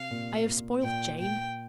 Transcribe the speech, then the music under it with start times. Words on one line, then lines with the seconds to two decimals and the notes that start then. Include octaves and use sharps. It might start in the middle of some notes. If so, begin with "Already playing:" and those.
I have spoiled Jane.
Already playing: C3 F5
0.11 A#2
0.47 A#2
0.83 A#2 G5
1.19 A#2 G5